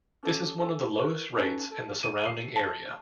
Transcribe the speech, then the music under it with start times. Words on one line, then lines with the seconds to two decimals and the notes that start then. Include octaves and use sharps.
This is one of the lowest rates in the surrounding area.
0.23 C#4 G4 A4 C#5
0.60 A4 G#5
1.01 E4 F#4 A#4 B4
1.36 C#4 D#4 A4 B4
1.71 A4
2.03 D#7
2.26 C7
2.56 A5